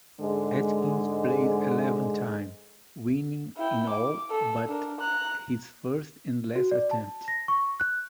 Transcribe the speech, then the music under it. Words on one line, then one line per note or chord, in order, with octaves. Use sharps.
Atkins played eleven times, winning in all but his first and last attempts.
G#2 D3 G#3
E4 G5
D6
A4
D4 A#4
A#5 F#6
F#4
D5
A5
A#6
C#6
F#6